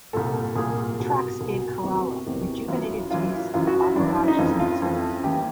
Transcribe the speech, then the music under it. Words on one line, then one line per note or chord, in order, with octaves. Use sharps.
The tracks gave Kerala a rejuvenated taste of Baburaj's music.
C2 A#2 A4
C2 A#2 G#4
C2 B2
C2 B2
E2 C3 D#3 F#4
E2 C3 D#3
F#2 C#3 E3 F4
F#2 C#3 E3 F4
E4
F#2 C#3 E3 F4
F#4
E4
F#2 C#3 E3 D4
E4
E4
D#4
F2 C#3 E3 F4
F4
F2 C#3 E3
D#2 C#3 E3 G4